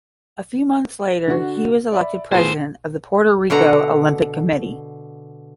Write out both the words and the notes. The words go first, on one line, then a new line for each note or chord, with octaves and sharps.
A few months later he was elected president of the Puerto Rico Olympic Committee.
D3 F#4
D5 E5 B5
A2 B3 F4 G#4 C5
B2 D3 F#5 A#5